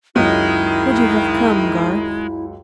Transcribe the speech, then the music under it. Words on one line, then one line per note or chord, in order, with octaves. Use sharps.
Would you have come, Garth?
C#2 F#2 D#3 G#3 E4 D#5